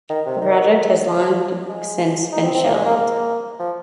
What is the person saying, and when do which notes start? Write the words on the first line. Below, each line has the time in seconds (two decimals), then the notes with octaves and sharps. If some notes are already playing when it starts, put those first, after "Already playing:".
The project has long since been shelved.
0.10 D#3
0.26 C3
0.42 D#3
1.05 F3
1.69 G#3
2.32 D#4
2.43 C4
2.54 C4
2.65 A#3
2.74 G#3
2.86 A#3
2.96 A#3
3.59 F3